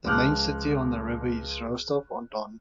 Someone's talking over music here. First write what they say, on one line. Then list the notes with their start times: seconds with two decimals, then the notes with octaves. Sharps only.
The main city on the river is Rostov on Don.
0.05 C#2 F3 D6 F6 F#6